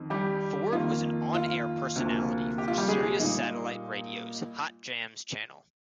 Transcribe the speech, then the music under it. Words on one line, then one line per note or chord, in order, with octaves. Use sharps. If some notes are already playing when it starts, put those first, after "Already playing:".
Ford was an on-air personality for Sirius Satellite Radio's Hot Jamz channel.
Already playing: F2 D#3
G3 G4
F2 D#3 A#3 F4
F4
D2 C3 F3 A#3
G4
F4
G3 G4
G#3 G#4
A#2 G3 A#3 D#4